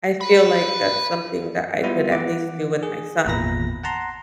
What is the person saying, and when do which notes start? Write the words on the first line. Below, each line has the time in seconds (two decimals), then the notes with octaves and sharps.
I feel like that's something that I could at least do with my son.
0.21 B4 B5
1.83 G3 B3 E4 F4
2.12 E3 F#5 D6
2.83 G#4
3.26 G#1 E2 A#2 A#5 B5 A#6
3.84 F#5 A5 A#5 C6